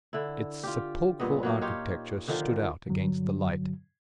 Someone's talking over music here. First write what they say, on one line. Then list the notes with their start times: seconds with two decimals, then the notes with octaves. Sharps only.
Its sepulchral architecture stood out against the light.
0.13 D3 E4
0.63 F4 G4
1.20 G2 A#2 B3 D#5
1.43 F#3 A#3 D#4
1.61 D#4 F4 G4 C#5
2.28 D3 D#3 F3
2.86 G2 D3 F#3